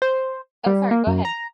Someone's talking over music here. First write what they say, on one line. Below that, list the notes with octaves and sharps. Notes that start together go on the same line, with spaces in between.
Oh, sorry, go ahead.
C5
G3
A#3
F#2
A#5